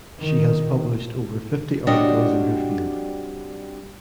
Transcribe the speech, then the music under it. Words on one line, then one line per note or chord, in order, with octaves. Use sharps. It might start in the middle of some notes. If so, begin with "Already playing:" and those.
She has published over fifty articles in her field.
D#3
G3 C4 D4 F#4 C#5 D#5